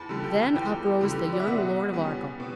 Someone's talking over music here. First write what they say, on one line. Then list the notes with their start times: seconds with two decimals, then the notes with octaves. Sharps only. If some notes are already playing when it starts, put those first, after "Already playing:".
Then uprose the young Lord of Arkell.
Already playing: E2 A5 B5
0.09 D3 G3
0.24 G5
0.55 E2 G5
1.01 D3 G3
1.32 D5
1.40 E5
1.47 B2 F#5
1.93 G3 C#4
2.40 B2